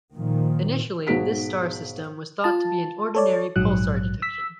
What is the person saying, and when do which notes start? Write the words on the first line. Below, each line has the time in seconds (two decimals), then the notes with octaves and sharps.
Initially this star system was thought to be an ordinary pulsar detection.
0.13 A#2 D#3 F3
1.07 B1 G#2 F#4 G#4 B6 D7
2.44 F4 A5
3.15 A4 C#5 D5
3.56 A#1 G#2 F#3 F#6
4.22 E6 B6